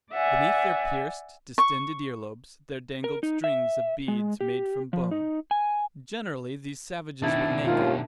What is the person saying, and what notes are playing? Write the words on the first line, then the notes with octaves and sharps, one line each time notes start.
Beneath their pierced, distended earlobes there dangled strings of beads made from bone. Generally these savages were naked.
D5 E5 F#5 G#5
C#6
A#4
D#4
E5
G#3
G4
F3
D#4
G#5
B2 D#3 D4 E4
D#2 G#2 F4